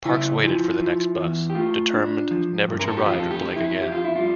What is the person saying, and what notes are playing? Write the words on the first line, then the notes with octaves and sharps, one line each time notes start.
Parks waited for the next bus, determined never to ride with Blake again.
C#3 E4
F3
F3
E2
G4
A3 F4
D4
F3
G2
A#4
A4
G4
F2 F4
A4
G4
F2
E4
F2 G4
F4
E4
G3 F4